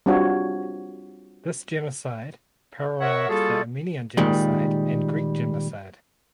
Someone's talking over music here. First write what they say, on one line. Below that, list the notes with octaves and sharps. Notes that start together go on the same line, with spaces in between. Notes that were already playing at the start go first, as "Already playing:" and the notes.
This genocide paralleled the Armenian genocide and Greek genocide.
G3 C4 D4 F4 F#4 C#5
A#4 C#5 E5 F#5
G3 A#3 F4 F#4 G#4 A4
A#2 D#3 G3 G#3